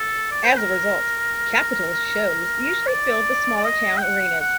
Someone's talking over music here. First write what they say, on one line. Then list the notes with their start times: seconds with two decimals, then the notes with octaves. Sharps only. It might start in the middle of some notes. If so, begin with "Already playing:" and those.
As a result, Capitol's shows usually filled the smaller town arenas.
Already playing: A4
0.32 D5
0.44 C5
0.58 A#4
2.87 D5
3.57 D5
3.64 D#5
3.98 G5
4.03 F#5
4.41 F#5